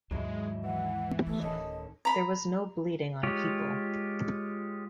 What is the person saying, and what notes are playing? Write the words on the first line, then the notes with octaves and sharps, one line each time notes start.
There was no bleeding on people.
D#2 G#2 F#3 G#3 D#4 E4
E3 F#5
D#2 A3 B3
D1 D#3 C#4 A4 D#5
A#5 B5
G#3 F4 G4 C#5